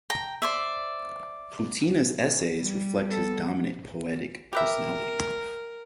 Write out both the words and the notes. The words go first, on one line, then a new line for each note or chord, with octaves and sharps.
PuTiNa's essays reflect his dominant poetic personality.
G5 A#5
C5 D5 E5
G3
B3 A4
G4 A#4 B4 E5